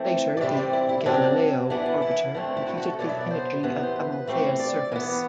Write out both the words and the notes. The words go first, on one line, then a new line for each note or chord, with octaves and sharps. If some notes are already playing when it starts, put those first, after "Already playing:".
Later, the "Galileo" orbiter completed the imaging of Amalthea's surface.
Already playing: E3 A3 C4
D5
C3 E3 G3 C4 E5
D5
E4
E4
C3 F#3 C4 D4
E3 B3 D4
D4
E4
D3 A3 C4
E4
F#4
F#4
A4
B2 F#3 B3 D5
E5
D5
C5
C3 E3 B3
C5
B4
B4
E3 A3 C4
D5
E3 B3